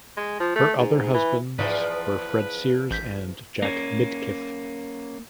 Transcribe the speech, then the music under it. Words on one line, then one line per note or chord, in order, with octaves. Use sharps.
Her other husbands were Fred Sears and Jack Midkiff.
G#3
F3
A3
G#2
E3
E2 G#2 F3 B4 D5 E5
A1 G6 B6
A#3 C#4